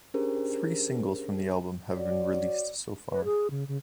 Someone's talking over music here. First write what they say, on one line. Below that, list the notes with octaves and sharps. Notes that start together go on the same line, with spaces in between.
Three singles from the album have been released so far.
C#4 D4 G4 G#4 A#4 C5
F#4 C#5 D5
B4
G#4
C#3
C#3